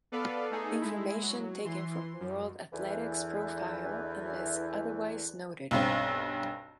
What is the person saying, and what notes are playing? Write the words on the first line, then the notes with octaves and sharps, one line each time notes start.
Information taken from World Athletics profile unless otherwise noted.
B3 A4 B4 D5 F5
A3 D#4 G#4 A4
G#3 E4
F#3
E3 C6
F#2
E2 D3 E3
B1 G2 C4